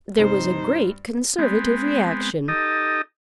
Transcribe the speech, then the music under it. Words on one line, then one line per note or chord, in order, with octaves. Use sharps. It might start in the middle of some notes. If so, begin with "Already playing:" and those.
There was a great Conservative reaction.
G2 C3 A#3 C4 D#4 C5
G#3 B3 C4
D#4 G4 A4 D#5